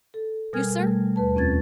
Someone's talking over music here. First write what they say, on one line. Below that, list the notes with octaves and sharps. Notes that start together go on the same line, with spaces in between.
You, sir?
A4
B2 G3 A#4 G#5 F6 G#6
G3 A3
D#2 B4 A5
F2 C4 C#4 F4 G#6 A6